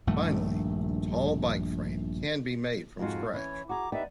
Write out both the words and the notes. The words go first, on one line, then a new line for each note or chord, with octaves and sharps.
Finally, a tall bike frame can be made from scratch.
A#1 G2 D#3 A3
F2 G#2 G#3 F4 F#4
E3 C#4 C#5
F#4 G#4 A#5 D6
B3 D#4 G4 B4 D5 E5